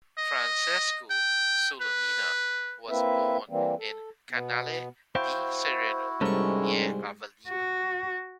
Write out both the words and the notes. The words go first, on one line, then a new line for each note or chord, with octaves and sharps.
Francesco Solimena was born in Canale di Serino, near Avellino.
D#5
G5
B4
A#3 C4 E4 B4 E5
E3 G3 A#3 C4
A4
B2 B3
E4 F#4 C5 F5 G5
C2 G#2 G3 G#3 C#4 A4 A#4 C#6
F#4